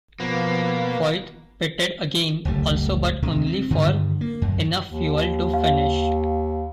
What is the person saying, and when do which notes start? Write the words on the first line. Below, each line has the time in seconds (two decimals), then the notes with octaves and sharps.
Foyt pitted again also but only for enough fuel to finish.
0.20 B2 F3 A#3 B3
2.45 F#1 C#2 G3 A3
3.22 D2 C3 G#3
3.46 C4
3.70 G2 D3 D#3 G3
4.21 A#3
4.42 F#2
4.87 D#2
5.54 F5